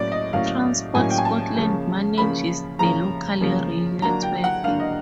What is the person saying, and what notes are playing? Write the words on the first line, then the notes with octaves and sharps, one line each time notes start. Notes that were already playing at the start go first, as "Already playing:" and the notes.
Transport Scotland manages the local rail network.
Already playing: A2 F#3 A#3 C#4 D5
D#5
A2 F#3 A#3 C#4 F5
A2 F#3 A#3 C#4 G#5
G5
G#5
A5
C#3 F3 A#3 C#4
C#3 F3 A#3 C#4 B5
C#3 F3 A#3 C#4 A#5
C#3 F3 A#3 C#4
D3 F#3 A#3 D4 A#5
G5
F#5
D3 F#3 A#3 D4 F5
D#5